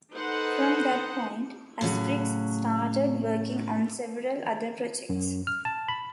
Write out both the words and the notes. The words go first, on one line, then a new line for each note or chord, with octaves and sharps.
From that point, Astrix started working on several other projects.
D#4 A4 B4 C5 F#5
A2 C#3 F3 F#3
F#2
F6
A5
B5